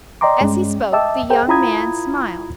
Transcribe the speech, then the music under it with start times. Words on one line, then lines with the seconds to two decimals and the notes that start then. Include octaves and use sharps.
As he spoke the young man smiled.
0.21 D5 D#5 G5 A#5 C6 D6
0.41 G2 G#3 C#4
0.92 D#5 E5 G5 A5 D6 E6
1.30 G#4 A#4 C5 G5
1.48 E4 F4 A#5 B5 D#6 G#6